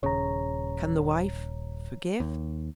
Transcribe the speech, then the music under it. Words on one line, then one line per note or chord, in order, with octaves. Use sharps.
Can the wife--Forgive?
D#1 C#3 C#5 A#5
D#2